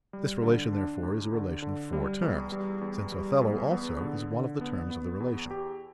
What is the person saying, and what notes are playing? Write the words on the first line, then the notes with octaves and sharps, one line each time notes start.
This relation, therefore, is a relation of four terms, since Othello also is one of the terms of the relation.
G3
D3
D4
D2
D3
D3
G3
E2
G3
E2
G3
E2
B3
D3
D3
B3
B3
E2
G4